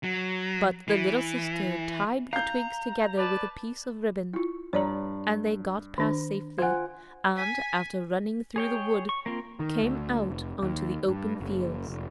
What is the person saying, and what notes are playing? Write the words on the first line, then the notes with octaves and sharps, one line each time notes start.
But the little sister tied the twigs together with a piece of ribbon, and they got past safely, and, after running through the wood, came out on to the open fields.
F#3
E3
F5 A#5 G6 C7
B4 D5 A5
E4 F4
G2 C#5 D5 A#5
D#3 D4
F4 C5 F#5 G#5
G#5 B6
G#4 C#5 G5
C#6
A#3 C4 F4
D#3
D2
F1
D#2
G2
F#1
F1